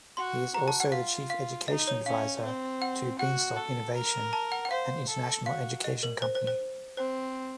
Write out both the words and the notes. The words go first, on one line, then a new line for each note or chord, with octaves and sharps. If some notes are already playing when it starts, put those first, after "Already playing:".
He is also the Chief Education Advisor to Beanstalk Innovation, an international education company.
F#4 C6
F#4 A#5
A5
F#5
F4 F5
F5
D#4 D#5
C#5
C#4 F5
C4
F#5
F#4 F#5
A4
A#4
A5
F#5
F#5
C5 F5
A4
F#4 F5
D#5
A#4
C5
C5
C5
C4 C5